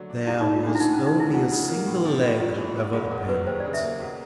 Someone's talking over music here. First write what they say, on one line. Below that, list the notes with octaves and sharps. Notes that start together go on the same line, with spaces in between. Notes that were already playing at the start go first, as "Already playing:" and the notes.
There was only a single leg, however, apparent.
Already playing: D3 F#3 A3
D4
C2 E4
D#4
A#2
F4
C2 D4
E4
D2 D#4
C#4
C#3
D#4
D2 E4
D2 F4
C#3
A#3
A2
F3
A2
G2 F4
E3
B3
F#1 G#4
E2 A#4
F#3 B4
D#2 C5
D5
C#3
E5
A#3
B1